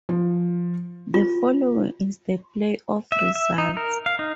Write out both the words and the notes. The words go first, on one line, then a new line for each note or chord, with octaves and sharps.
The following is the playoff results.
F3
F4
E5
E5
D#4
A#4
F5
D#4